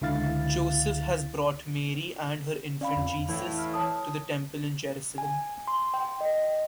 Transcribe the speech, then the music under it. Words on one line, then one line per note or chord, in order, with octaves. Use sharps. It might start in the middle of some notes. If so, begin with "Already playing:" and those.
Joseph has brought Mary and her infant Jesus to the temple in Jerusalem.
C#2 D3 E4 F5 A6
C#4 D5 F5 B5
F2
A2 E3 E4
F6
C#5 A5 D#6
G#5
C6
G5
D#5